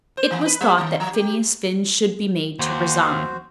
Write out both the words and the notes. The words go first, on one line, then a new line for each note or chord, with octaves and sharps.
It was thought that Phineas Finn should be made to resign.
C5
E3
B4
G3
D#3
F3
G4
D#2 F#4 C5